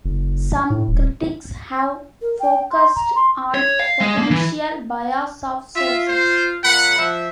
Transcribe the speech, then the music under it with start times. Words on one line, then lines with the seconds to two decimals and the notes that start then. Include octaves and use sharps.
Some critics have focused on potential bias of sources.
0.05 F#1
0.70 A2
0.88 D#1
2.22 A#4
2.40 G5
2.71 C6
2.96 A#5
3.16 C6
3.54 C#5
3.80 F5
4.00 G#3
4.18 A#3
4.31 E3
5.76 F4 E5
6.08 C5
6.64 A#2 F#5 B5
6.98 F3 E5